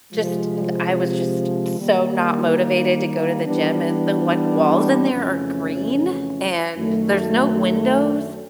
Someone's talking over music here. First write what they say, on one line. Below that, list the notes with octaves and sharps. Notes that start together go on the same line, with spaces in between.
just da I was just so not motivated to go to the gym, and the, like, walls in there are green, and there's no windows.
C3 F3 G#3
D#3 G3 A#3
E3 G3 B3 D4
F2 C#3 E3 A3 C#4
F#2 D#3 F#3 A3